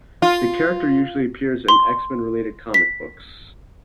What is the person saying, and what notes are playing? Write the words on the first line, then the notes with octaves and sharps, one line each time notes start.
The character usually appears in X-Men-related comic books.
F4
C6
B6